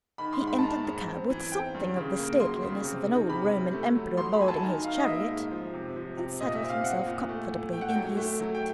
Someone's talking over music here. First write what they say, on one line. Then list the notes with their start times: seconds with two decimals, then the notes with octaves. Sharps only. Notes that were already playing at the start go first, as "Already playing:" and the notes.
He entered the cab with something of the stateliness of an old Roman Emperor boarding his chariot, and settled himself comfortably in his seat.
0.18 D#3 B5
0.33 C6
0.40 G#2
0.47 B5
0.58 A5
0.63 D#3 A#5
0.85 G#2
1.07 C4
1.30 E3
1.52 C4 G5
1.74 G2
1.96 C#3
2.19 A#3
2.40 F#3 C6
2.63 C#3
2.84 C3
3.08 D#3
3.29 C3 B5
3.51 G3
3.73 A3
3.95 F#3
4.17 F#3 C6
4.33 B5
4.41 F#3 G#5
4.48 A5
4.62 D#3 A#5
4.84 D#3 F5
4.98 D#5
5.07 A#3 E5
5.28 G#2
5.51 F3
5.73 C3
5.96 F3
6.17 C3
6.41 A#2 D#5
6.55 E5
6.63 C4
6.70 F5
6.84 C4 F#5
7.06 A#2
7.29 A3
7.51 A2
7.73 A3 G5
7.81 F#5
7.90 G5
7.95 F#3
8.17 A3
8.40 F#3
8.55 G5